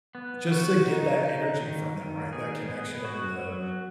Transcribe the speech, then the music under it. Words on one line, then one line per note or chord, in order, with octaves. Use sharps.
just to get that energy from them, right, and that connection and the
B3
F#4
D#4
D#4
D#3
D#3
G#4
B3
F#4
F#3